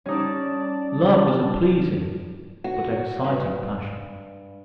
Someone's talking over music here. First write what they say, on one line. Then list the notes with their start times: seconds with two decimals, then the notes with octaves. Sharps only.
Love is a pleasing but exciting passion.
0.06 G3 C#4 D#4 D5 A5
2.64 F#4
3.24 G2